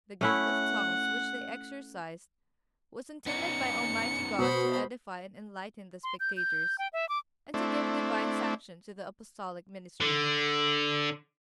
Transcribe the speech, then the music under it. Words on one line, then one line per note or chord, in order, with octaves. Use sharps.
The gift of tongues which they exercised was intended by Almighty God to edify and enlighten the spectators, and to give Divine sanction to the Apostolic ministry.
A3 C#4 E4 F#5
B3 C#4 D#4 C#7
B2 C5 B5
C6
G6
G6
G5
E5
D6
A3 C4 D4 E4
D3